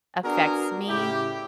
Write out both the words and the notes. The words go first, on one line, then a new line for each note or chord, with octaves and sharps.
affects me,
B3 D4 F#4 G#4 A#4
A2 C#3 E4 G4